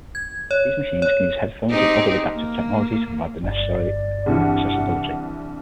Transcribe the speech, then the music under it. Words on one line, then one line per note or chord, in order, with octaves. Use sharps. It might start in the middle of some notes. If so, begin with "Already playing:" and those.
These machines can use headphones and other adaptive technology to provide the necessary accessibility.
G#6
C#5
C#5
C4 D#4 G4 G#4
A#3
G1 D5
C2 D3 E3 F#5